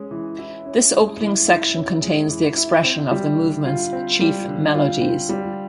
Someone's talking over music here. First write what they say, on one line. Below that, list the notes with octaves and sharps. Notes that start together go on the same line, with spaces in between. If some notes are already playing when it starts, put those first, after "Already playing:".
This opening section contains the expression of the movement's chief melodies.
Already playing: G#3 C#4
E3
E4
C#4
G#3
E3
E4
C#4
G#3
E3
E4
C4
G3
D3
F4
C4
G3
D3
F4
C4
G3